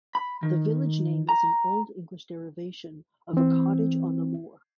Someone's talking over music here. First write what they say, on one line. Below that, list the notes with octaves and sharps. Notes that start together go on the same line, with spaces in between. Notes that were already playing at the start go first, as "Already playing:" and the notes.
The village name is an Old English derivation of "a cottage on the moor".
B5
D#3
A#5
E3 C4